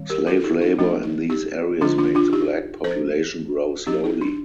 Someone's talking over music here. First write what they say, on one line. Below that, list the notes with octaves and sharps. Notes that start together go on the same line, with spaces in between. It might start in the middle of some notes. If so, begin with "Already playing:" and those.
Slave labor in these areas made the black population grow slowly.
Already playing: D#3 G3 C4
G4 A#4
F4 A4
A4
D#4 G4
D#4
F3 A3 C4 D4
D#4
D#4 G4
D3 F3 C4 D4 F4
D4 F4
D4 F4
D#4 G4
F3 C4 A4 C5
F3 C4 D#4 G4
D#4
D4